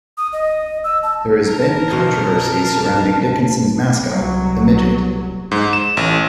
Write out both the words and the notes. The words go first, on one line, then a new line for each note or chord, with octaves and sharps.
There has been controversy surrounding Dickinson's mascot, the Midget.
D#6
D#5
E6
A5
A#4 A5
B2 C5 D#5
C2 F#3
G#2
E7
A1